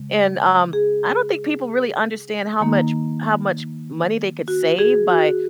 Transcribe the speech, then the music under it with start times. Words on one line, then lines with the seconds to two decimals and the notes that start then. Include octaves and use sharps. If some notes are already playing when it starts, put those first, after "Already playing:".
And um, I don't think people really understand how much how much money they could save by
Already playing: C#3 G#3
0.73 G#4
2.60 D#3 A#3 D#4
4.48 F#4
4.79 G#4
5.10 F#4